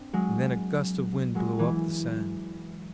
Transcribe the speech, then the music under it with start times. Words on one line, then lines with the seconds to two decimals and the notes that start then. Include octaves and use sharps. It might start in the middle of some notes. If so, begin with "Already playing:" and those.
And then a gust of wind blew up the sand.
Already playing: C4 D4
0.13 F#3 G#3
1.35 F#3 G#3
1.59 E3